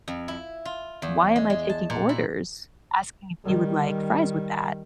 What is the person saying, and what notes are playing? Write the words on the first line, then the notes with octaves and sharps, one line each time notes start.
"Why am I taking orders, asking if you would like fries with that
F2
E4
F4
E2
G#3
G#3
A5
A#2
E4
D#3 G3